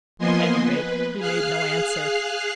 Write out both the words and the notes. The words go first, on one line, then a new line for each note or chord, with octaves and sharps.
At any rate, he made no answer.
F3 A#3 B3 D#5 G#5 C6
B4
G#4 F5 F6 F#6 C7